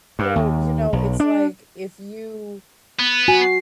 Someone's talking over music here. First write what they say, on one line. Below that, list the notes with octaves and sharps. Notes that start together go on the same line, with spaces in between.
So, you know, it's like if you
G2
D#2
B1
D4
B3
F#4 G#5
C7